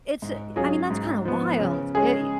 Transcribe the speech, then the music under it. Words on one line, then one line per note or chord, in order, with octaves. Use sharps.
it's i I mean, that's kinda wild, i
G#2
F#3 C#4 F4 G#4
G#2
F3 B3
C#3
G#3 C#4 G#4